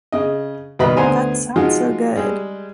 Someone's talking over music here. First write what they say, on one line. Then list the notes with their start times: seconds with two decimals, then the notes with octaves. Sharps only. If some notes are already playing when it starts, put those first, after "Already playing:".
That sounds so good.
0.12 C#3 D#5
0.79 D#2 B2 G3 B4 D#5 B5
0.96 D2 B3 C5 G#5 A#5
1.56 F3 G#3 D#4 F4 F#4
2.16 G3 G#3 G#4